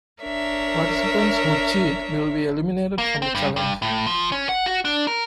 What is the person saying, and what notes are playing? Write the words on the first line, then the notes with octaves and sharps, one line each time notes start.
Participants who cheat will be eliminated from the challenge.
D4 A#4 C#5 E5
A#3
C4
G2
G2
A2
F3
C#4
F#5
F#4
D4
A#4